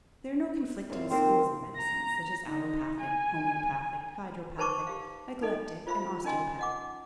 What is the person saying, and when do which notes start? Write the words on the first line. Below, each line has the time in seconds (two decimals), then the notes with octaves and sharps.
There are no conflicting schools of medicines such as Allopathic, Homeopathic, Hydropathic, Eclectic and Osteopathic.
0.90 F#2 C4 F4
1.10 D#3 F3 A#3 C4
1.76 A#5
2.47 D#4
3.01 G#5
4.58 D#4 B4 C5 A5 C#6 D6
4.87 G4 F5
5.42 D#4 A4 D#5
5.87 F4 C5 E5 F5 B5
6.24 C#4 D#4 D#5 G#5 C6
6.59 D#5 F#5 D6